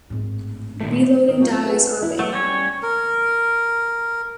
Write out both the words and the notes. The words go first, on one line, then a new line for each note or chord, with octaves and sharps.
Reloading dies are available.
G#1 A2
A#2 D#3 A3
D#3
F#3 C4 F4
F#4 G#4 B4
E2 E4
F#3 A3 F#5
G3 C#4 C#5
A#4